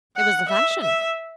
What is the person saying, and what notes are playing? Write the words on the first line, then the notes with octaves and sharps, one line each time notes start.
It was the fashion.
F#5
E5
E5